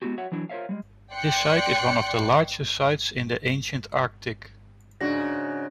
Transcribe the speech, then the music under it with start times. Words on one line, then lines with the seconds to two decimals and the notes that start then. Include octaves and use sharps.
This site is one of the largest sites in the ancient Arctic.
0.02 G#3 B3 C4 E4 F#4 G4
0.18 F#4 C#5 E5 F#5
0.32 E3 F#3 D4 E4
0.49 F4 A#4 C5 C#5 E5 F5
0.69 G3 G#3
1.13 D5 G5 C6 F#6 C#7
5.01 G#2 C#3 D4 F#4 D5 A#6